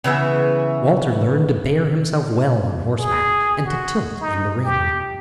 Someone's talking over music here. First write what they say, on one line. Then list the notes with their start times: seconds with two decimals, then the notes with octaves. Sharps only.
Walter learned to bear himself well on horseback and to tilt in the ring.
0.04 C#3 E3 B3 E5
2.99 G#4
3.65 F#4
4.21 D#4
4.65 G4